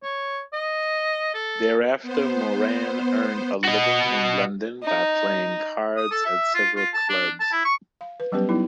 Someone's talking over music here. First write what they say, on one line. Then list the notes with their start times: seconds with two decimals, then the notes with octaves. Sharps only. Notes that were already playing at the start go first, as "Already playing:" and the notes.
Thereafter Moran earned a living in London by playing cards at several clubs.
0.03 C#5
0.53 D#5
1.34 A4
2.02 B3 C5
3.65 F#4 D#5
4.83 D#4
5.97 D#6
6.11 A4
6.25 E5
6.54 F4
6.76 F4
6.94 A5
7.09 D4
7.40 A5
7.52 E4
7.64 C#6
8.01 F5
8.20 B4
8.32 F#3 G3 B3 C#4 G4 B4
8.49 F#3 B3 D#4 E4